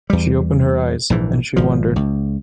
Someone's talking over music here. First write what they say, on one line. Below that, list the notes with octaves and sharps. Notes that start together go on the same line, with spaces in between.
She opened her eyes, and she wondered.
E2 G3
A#1 G#2 E3
G#1 F3
C#2